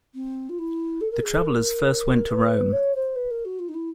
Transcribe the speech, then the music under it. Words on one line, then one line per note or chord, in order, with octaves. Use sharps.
The travellers first went to Rome.
C4
F4
E4
A4
A#4
G#4
A4
A#4
B4
C#5
C5
B4
A#4
F#4
F4
D#4
E4